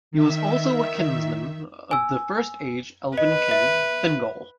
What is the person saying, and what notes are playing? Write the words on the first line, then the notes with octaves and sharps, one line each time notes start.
He was also a kinsman of the First Age Elven King Thingol.
D#3 E5
G#5 E6
B4 D#5
E5